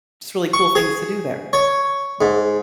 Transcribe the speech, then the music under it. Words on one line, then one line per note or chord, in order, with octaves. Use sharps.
just really cool things to do there.
C#6
G#4
C#5
G#2